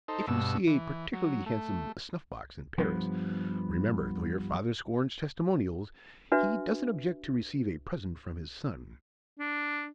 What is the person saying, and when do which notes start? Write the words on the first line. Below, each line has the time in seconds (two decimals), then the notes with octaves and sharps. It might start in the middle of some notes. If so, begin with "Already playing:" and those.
If you see a particularly handsome snuff-box in Paris, remember--though your father scorns Testimonials--he doesn't object to receive a present from his son.
0.08 D#4 A4 C5
0.28 G2 B2 E6
0.67 E3
1.13 F#3
1.46 A3
2.78 G2 F3 B3
6.32 D4 F#4 B4 E5
9.39 D4